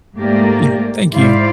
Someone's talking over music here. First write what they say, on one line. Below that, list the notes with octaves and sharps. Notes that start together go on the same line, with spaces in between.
Yeah, thank you.
G#2 A3 A#3 G4 A#4 D5
G#2 E4 C5 D5 F5